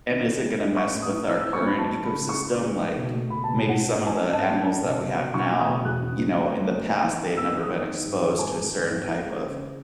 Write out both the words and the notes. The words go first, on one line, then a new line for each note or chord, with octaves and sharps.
and is it gonna mess with our current ecosystem? Like, maybe some of the animals that we have now, you know, in the past they had never been exposed to a certain type of
D#3
B3
G#3
B3
C#4 C#6
A2
D#6
E4
E4 E6
E4 E6
C#6
F#3 B5
B3 A5
C#3
B5
C#3
G#3 C#6
C#3
G#3
D#4
B2
A3
B2 B5
B2 A5
G#5
A3 F#5
C#4
G#2
G#5
C#4
G#2 A5
F#3
C#4
B2
B2
B2
E4 C#6
A3
D#6
B2
E2 F#6
C#3
F#3
A3
A3
A3
E3
E3
D#4
B3 E6
D#4
D#6
D#4
D#3
G#2
D#3
G#3 G#5
G#2
D#3
E4
E4
G#3
C#3
C#4